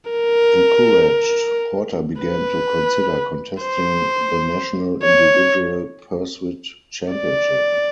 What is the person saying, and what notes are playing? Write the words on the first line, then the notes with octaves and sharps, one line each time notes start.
Encouraged, Porter began to consider contesting the national individual pursuit championship.
A#4
B4
C5
C#5
D5